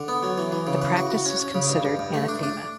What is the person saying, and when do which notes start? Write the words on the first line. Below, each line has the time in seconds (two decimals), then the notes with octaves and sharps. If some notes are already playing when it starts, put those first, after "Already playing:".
The practice is considered anathema.
Already playing: D3
0.08 B3
0.23 F#3
0.38 E3
0.52 E3
0.67 C#3
0.82 B4
0.97 F#4
1.10 F#4
1.25 C#4
1.40 C#4
1.54 C#3
1.69 G2
1.85 G2
1.99 G2
2.14 A3
2.28 D4
2.43 D4